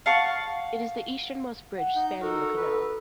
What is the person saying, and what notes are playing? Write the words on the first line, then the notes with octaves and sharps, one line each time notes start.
It is the easternmost bridge spanning the canal.
F5 F#5 A5 C#6
F#5
D#4 G6
D#4 F#4 A4 A#4
B4